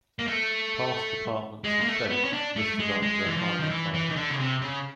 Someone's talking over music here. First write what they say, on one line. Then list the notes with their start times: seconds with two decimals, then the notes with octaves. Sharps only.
Past Departments of state, listed under their final title.
0.19 A#3
0.28 A3
1.64 G#3
1.81 A#3
1.88 A3
2.10 B3
2.24 C#4
2.33 D4
2.56 A3
2.79 G#3
3.03 G#3
3.26 E3
3.37 F3
3.60 D#3
3.70 E3
3.94 E3
4.10 D#3
4.16 D3
4.31 C#3
4.39 C3
4.62 C#3